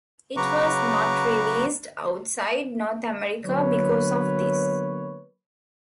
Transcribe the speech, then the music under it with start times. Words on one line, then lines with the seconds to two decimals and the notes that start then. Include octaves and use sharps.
It was not released outside North America because of this.
0.37 C#3 F#3 B4 A#5 C#6 D6
3.45 D3 F#3 A#3 B3 B4 C#5